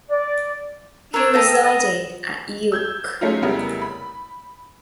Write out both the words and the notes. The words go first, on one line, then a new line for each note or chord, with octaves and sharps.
He resided at York.
D5
D4 A#4 C#5 E6
A4 D#5 F5 G5
D#5
E6 G6 G#6
F#3 G#3 A3 C#4 D#4 F4
F1 C#3 G3 B3 E4 A#4
B5